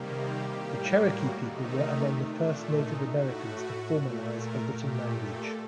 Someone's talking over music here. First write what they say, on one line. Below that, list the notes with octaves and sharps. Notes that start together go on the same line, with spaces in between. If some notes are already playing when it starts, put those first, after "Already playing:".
The Cherokee people were among the first Native Americans to formalize a written language.
Already playing: C3 D#3 G3 A#3
G4
A2 G3 A#3
F#4
C3 D#3 A3 D#4
A#2 A3 D4
D#4
A2 A3 F#4
A#2 A3
A#4
A#2 A3 G4
A4